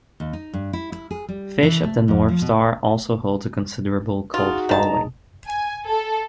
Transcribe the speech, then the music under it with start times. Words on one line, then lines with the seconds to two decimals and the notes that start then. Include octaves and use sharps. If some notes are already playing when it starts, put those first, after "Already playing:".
"Fist of the North Star" also holds a considerable cult following.
0.20 D#2
0.33 D#4
0.53 G2
0.73 E4
0.92 E4
1.11 G#4
1.29 G3
1.63 E3
1.84 A3
2.08 F2
2.29 F3
2.42 B2
4.34 D#4 F4 F#4 G#4
4.69 D#3 A5 A#5
5.46 G#5
5.85 A4